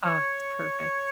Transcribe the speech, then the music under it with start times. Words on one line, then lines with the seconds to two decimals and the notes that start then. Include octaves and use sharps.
Oh, it's perfect.
0.04 C#5